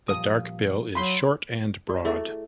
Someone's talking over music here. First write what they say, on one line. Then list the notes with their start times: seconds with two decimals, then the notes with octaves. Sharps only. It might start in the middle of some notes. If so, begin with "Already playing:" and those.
The dark bill is short and broad.
0.08 A#2 F3 G3 D#6
0.95 F#3 B5 C6
1.89 F#4 D5 C#6
2.05 A3 E4 G#4 E5